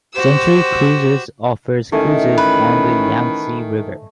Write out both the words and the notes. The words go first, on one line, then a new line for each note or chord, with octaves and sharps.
Century Cruises offers cruises on the Yangtze river.
F#4 G4 C5 E6
A1 D#3 A3 D#5 G#5
B4